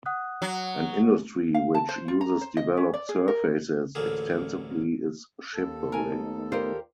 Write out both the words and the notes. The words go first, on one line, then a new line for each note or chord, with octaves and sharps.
An industry which uses developed surfaces extensively is shipbuilding.
F#5 D#6 F#6
F#3
F5
A5
C5
F4
A#5
C5
D#5
C#4
D5
G#4
A#4
A1 D2 A3 A#3 G#4
D#2 A4
A3 B3 D#4 A#4 G#5
F4 G4 A#4 C5 D5